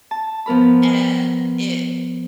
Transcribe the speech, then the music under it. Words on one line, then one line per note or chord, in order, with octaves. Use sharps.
and it
A5
F3 B3 A#4 B5